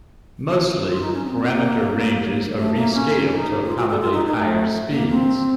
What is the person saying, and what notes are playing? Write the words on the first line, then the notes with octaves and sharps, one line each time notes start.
Mostly, parameter ranges are rescaled to accommodate higher speeds.
F#4
F4
D#4
C#4
C4
C4
A#3
A3
A#3
C#4
D#4
F4
F#4
A4
F4
D#4
D#4
A3
A#3
C4